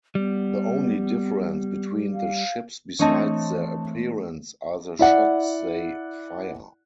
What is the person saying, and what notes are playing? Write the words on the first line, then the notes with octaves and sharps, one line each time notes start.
The only difference between the ships besides their appearance are the shots they fire.
G3 B3
F5
E3 A3 C4 D4 C#5 D#5 A5
E4 D5 F#5